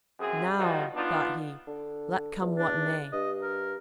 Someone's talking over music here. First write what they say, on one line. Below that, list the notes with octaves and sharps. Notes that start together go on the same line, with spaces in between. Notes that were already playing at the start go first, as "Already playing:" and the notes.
"Now," thought he, "let come what may."
F#2 C4 G#4
D#3 F3 G3 F#4
B3 D4 D#4 F4
D3
E2
D4
G2 D#5
A#4